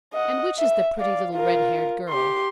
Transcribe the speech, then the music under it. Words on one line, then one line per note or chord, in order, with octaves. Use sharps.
"And which is the pretty little red-haired girl?"
D#5 F#5
E5
D5 F5
F4 A#4
G4 C6